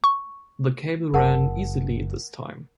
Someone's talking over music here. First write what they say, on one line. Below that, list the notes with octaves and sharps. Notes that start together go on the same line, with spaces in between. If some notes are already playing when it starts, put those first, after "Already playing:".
The cable ran easily this time.
C#6
F#1 A#4 F#5 A5